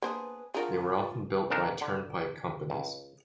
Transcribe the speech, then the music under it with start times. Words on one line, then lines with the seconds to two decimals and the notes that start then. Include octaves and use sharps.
They were often built by turnpike companies.
0.02 A#3 B3 D4 G#4 B4 C5
0.54 F3 D4 F4 F#4 G#4 A#4 F5
1.50 F2 D4 D#4 A#4 A5
1.81 D3
2.70 C#2